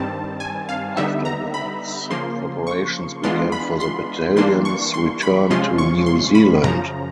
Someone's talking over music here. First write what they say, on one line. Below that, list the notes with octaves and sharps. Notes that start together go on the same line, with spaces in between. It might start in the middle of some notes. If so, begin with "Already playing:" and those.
Afterwards, preparations began for the battalion's return to New Zealand.
Already playing: G2 D#3 G3 C4 A5
G#5
F5
D3 G3 B3 D#4 E5
A#5
B5
C#3 F3 A#3 C6
C#6
E3 G#3 B3 D4 F4 C6
B5
C6
E3 G3 A#3 D4 C6
C#6
C6
B5
C3 F3 G#3 C#4 F4 C6
C#6
C6
B5
F#2 C#3 F3 A#5